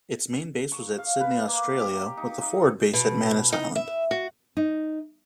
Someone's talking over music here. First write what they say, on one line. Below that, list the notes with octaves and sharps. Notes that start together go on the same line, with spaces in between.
Its main base was at Sydney, Australia, with a forward base at Manus Island.
C#6
F5
B4
A#3
G4
D#4
D#4
B2
D#4
E5
F#4
D#4